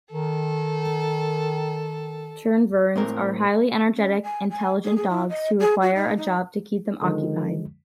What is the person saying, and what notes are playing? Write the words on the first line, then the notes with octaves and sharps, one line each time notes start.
Tervurens are highly energetic, intelligent dogs who require a job to keep them occupied.
D#3 A4
A2 C4 A#4
C#4
G#5
G#5
G#4
G#4
E4
D#5
G#4
F#4
D#4
D#4
D3 D#3 F3 G#3